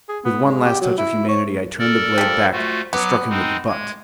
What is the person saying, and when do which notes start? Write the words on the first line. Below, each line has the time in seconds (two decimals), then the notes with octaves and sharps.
With one last touch of humanity I turned the blade back and struck him with the butt.
0.09 G#4
0.25 B3
0.45 G#3
0.65 G4
0.81 F#3
0.98 E4
1.29 C#5
1.79 A4 A#4 D5
2.18 F3 G3
2.52 A3 F4 F#4
2.93 F#3 B3 D6
3.30 G#3 C4 D#4
3.68 G#3 G#6